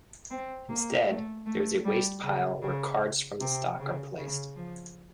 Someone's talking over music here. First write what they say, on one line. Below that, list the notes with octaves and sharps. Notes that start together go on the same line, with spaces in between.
Instead, there is a wastepile where cards from the stock are placed.
C4
A#3
A3
A3
G3
C#3
C#3
C3
C#3
C#3
F3